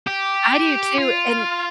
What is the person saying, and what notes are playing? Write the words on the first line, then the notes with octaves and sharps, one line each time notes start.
I do, too, and
G4
F4